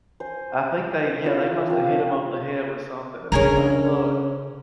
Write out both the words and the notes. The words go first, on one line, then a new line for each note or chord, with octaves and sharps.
I think they yeah, they must have hit them over the head with something and be like, "Look."
C5 G#5
E4 F4 C#5
F3 A#3 C4 F4
C#3 C#4 D4 G#4 A#4